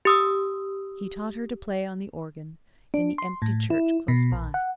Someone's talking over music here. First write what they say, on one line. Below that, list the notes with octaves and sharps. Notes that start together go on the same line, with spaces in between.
He taught her to play on the organ, in the empty church close by.
G4 D#6 E6
D4
C6
A2
E4
B2
A#1
F#5